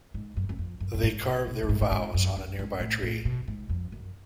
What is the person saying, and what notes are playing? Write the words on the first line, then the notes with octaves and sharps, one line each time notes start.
They carve their vows on a nearby tree.
G#2
F#2
F#2
F2
F#2
F#2
G#2
B2
A2
G#2
A2
G#2
F#2
F#2
G#2
A2
A2
B2
G#2
F2
F#2